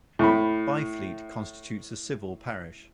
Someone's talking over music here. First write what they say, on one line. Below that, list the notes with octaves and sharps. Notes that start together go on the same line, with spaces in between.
Byfleet constitutes a civil parish.
A2 B5